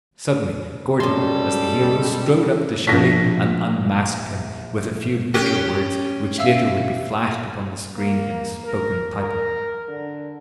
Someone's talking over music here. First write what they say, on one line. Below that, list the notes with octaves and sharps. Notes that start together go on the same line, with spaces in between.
Suddenly Gordon, as the hero, strode up to Shirley and unmasked him with a few bitter words which later would be flashed upon the screen in a spoken title.
F#2 G3 G#3 A4 C6
A#1 A#6 B6
C#4 G4 F#6
E5 F5 E6
A#3
A#4
A#4
D3